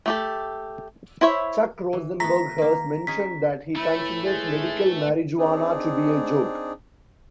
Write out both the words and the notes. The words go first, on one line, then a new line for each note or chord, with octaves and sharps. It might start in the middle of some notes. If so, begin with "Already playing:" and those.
Chuck Rosenberg has mentioned that he considers medical marijuana to be a joke.
A3 G4 A4
E4 C5 C#5 E5
E3
A3 B3 A#5 A#6 B6
D#3 A#3
C#4 D#4 G#4 B6
A2 E3 A3 E4
G#3
C4 D4 D#4 G#4